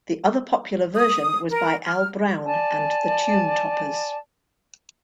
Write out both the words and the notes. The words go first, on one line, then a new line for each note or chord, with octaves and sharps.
The other popular version was by Al Brown and The Tunetoppers.
D#6
A#4
F6
D5 G#5 A5